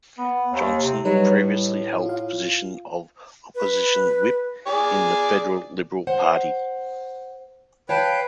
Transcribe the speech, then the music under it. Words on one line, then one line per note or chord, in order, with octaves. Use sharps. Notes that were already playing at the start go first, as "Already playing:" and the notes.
Johnson previously held the position of Opposition Whip in the Federal Liberal Party.
B3
D#2
C3
F#3 G3 D#4 B4
A2
F4 F5
B4
G#4 D5
C5 F#5
B4 C#5 F5 G5 A5